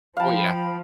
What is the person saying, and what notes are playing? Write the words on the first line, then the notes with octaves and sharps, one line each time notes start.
Oh, yeah.
F3 F5 G5 A5 B5